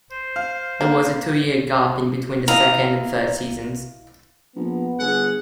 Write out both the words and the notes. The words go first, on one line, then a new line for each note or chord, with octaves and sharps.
There was a two-year gap in between the second and third seasons.
C5
F5
A#3
E4 D#5 F5 A#5
A#1 B3
G1 G#4 F#5